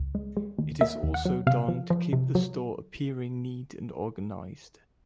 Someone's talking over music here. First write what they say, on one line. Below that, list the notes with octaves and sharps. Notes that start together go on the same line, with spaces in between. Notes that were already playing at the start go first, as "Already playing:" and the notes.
It is also done to keep the store appearing neat and organized.
Already playing: C#2
G#3
G#3
D#2
A#3 E5
D#2
F#5
F#3
C3 F5
F3
F3
C3
F#3